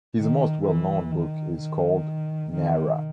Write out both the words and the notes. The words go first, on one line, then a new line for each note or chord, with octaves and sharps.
His most well-known book is called "Nara".
D#3
E3
D#3
D#3
D#3